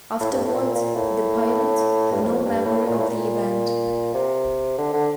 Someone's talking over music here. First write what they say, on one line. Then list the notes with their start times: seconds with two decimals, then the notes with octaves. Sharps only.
Afterwards, the pilots have no memory of the event.
0.21 A2
0.32 G2
0.45 A2
0.54 A#2
0.75 A#2
0.95 A2
2.12 G2
2.23 F2
2.45 G2
2.65 A2
2.87 A#2
2.98 A2
3.10 A#2
4.14 C3
4.78 D3
4.93 D3